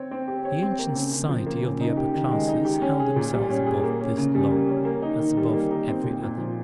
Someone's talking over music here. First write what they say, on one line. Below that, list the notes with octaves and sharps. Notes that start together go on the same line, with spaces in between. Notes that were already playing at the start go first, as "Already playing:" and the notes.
The ancient society of the upper classes held themselves above this law, as above every other.
Already playing: C4 C#5
C4
G4
C#5
C4
A#3
C#3
C#3
F3
A#3
C#3
D#4
G4
D#3
G#3
D#4
G4
C#4
G#4
A#2
G3
C#4
G#4
A#3
C#4
C#3
G3
A#3
C#4
A#3
D#4
D#3
G3
A#3
D#4
C4
A#2
A#2
F3